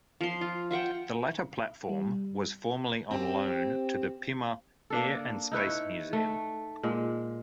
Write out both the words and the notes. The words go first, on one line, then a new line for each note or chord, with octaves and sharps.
The latter platform was formerly on loan to the Pima Air and Space Museum.
F3 C6
F4
F4 E5 F#5 G5
G3
C4 G4
A#3 D4 A4
D#4 E4 B4 C#5
A3
A#2 G#3